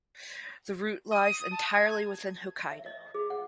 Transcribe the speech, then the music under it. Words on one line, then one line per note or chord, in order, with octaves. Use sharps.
The route lies entirely within Hokkaido.
D#6
A5
G#6
E5
D#5
G#4
F#5